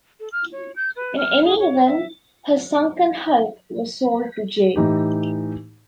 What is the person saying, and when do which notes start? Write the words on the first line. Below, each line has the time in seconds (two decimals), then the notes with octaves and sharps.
In any event, her sunken hulk was sold to J.
0.20 A4
0.32 F6
0.52 C#5
0.76 G6
0.96 B4
1.18 F6
1.45 G#4
1.59 C#5
1.86 E5
4.76 A2 E3 D#4 G4